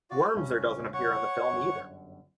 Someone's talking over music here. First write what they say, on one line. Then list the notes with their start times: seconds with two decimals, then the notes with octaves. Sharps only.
Wormser doesn't appear in the film either.
0.10 F4 F#4 D5
0.36 E1 C#2 G2 C#4
0.94 C#5 F#5 C#6
1.53 G1 F#2